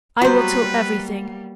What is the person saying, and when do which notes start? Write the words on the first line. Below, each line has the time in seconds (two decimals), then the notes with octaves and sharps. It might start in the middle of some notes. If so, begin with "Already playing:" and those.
I will tell everything!
0.22 F#3 G3 A#3 B3 F#4 B4 C5